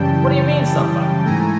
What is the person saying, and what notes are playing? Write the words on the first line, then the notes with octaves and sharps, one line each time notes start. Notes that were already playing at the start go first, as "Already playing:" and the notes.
What do you mean, somebody?
Already playing: F#2 C#3 E3 G3 G5 A5
G#2 E3 A3 G#5 A#5